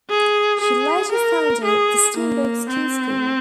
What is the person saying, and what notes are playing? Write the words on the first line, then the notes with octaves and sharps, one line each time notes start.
She later founded the Steamboat Ski School.
G#4
G#4
A#4
G#4
A#3
C4